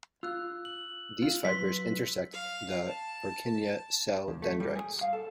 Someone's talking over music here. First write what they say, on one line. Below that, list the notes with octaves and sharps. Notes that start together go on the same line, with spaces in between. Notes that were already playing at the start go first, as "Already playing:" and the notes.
These fibers intersect the Purkinje cell dendrites.
F4 E6 F#6
F#7
F4
F#3 B4 C6 B6
F5
A5
E2
A3
G3
G#4
F5
A4